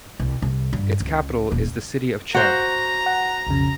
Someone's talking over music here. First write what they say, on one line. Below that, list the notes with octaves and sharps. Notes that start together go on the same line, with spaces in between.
Its capital is the city of Cheb.
C2
C2
G2
C#2
D#1
F#4 C5 A#5
F#5
B1 F2 C#3